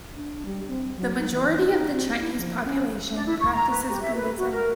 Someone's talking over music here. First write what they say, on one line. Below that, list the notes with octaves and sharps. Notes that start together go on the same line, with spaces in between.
The majority of the Chinese population practises Buddhism.
D4
G3
C4
F#3
D#4
E3
D4
D#4
C4
E4
F3
C#4
D4
E4
C#6
A#5
B4
G4
E5
B4
F#4
A#4